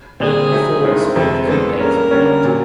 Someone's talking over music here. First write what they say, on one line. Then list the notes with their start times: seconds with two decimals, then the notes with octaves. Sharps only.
Only four Sport Coupes were built.
0.20 A#2 G3 C4 G#4
0.52 F#3 A3 C4 D#4
0.84 G2 D#3 G#3 C4 E4
1.15 F2 C3 F3 G#3 A4
1.47 G2 E3 G#3 B3 A4
1.79 G3 A#3 C#4 A#4
2.11 D3 G3 A#3 C#4
2.44 A#2 F#3